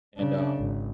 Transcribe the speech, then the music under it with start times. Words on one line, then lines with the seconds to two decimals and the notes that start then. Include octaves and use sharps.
And, um
0.17 C#3 D4
0.58 G#1